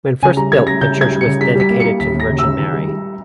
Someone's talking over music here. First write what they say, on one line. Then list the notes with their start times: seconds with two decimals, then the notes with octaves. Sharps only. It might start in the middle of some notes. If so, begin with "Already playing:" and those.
When first built the church was dedicated to the Virgin Mary.
0.23 C#3 G#5
0.37 G3 A#5
0.52 C#3 G#6
0.67 G3 A#6
0.81 C#3 G6
0.96 G3 G#6
1.11 G3
1.21 C#7
1.26 C#3
1.41 G3 B6
1.56 G3 B6
1.70 A#3
1.80 C#7
1.85 G3
2.00 D#2 B6
2.14 D#2
2.20 A#6
2.29 C#3
2.39 E6
2.44 C#3
2.59 D#3
2.73 G3
2.88 G3